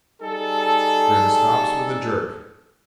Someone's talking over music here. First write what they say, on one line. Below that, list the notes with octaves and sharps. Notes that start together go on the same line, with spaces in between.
Grim stops with a jerk.
G3 D#4 G#4 A4